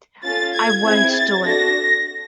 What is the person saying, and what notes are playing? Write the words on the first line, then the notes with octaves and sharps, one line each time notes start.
I won't do it.
C#4 F4 A4 A6
G#6
C4 E4 G#4 G#6
A6
D4 F#4 A4 A#6